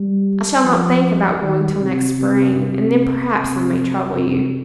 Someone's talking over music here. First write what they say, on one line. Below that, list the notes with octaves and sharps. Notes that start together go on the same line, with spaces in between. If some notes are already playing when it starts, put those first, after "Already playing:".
I shall not think about going till next spring; and then, perhaps, I may trouble you.
Already playing: G3
F3
D#3
C3
C3
C3
C3
C3